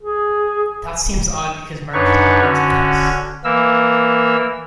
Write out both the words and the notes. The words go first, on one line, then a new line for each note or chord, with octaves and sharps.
That seems odd because Mark has never been to the house.
G#4
F#2 D4 D#4 B4 C#5 C#6
D3 C#4 F#4
E3 A#3 A#4 E6